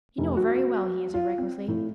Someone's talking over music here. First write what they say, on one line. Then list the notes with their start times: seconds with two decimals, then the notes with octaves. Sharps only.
"You know very well," he answered recklessly.
0.18 F1
0.37 F#4
1.14 F4
1.38 C4
1.68 A2